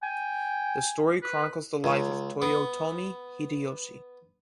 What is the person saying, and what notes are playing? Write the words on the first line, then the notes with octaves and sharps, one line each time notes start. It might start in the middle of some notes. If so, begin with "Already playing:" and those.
The story chronicles the life of Toyotomi Hideyoshi.
G5 G#5
B4
C#2
B3